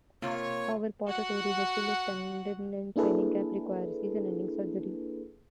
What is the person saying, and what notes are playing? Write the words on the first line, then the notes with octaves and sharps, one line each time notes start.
However, Porter tore his Achilles tendon in training camp, requiring season-ending surgery.
C3 A#3 F4 C#5
F#4 F#5
A#3 D4 E4 G#4 A4 B4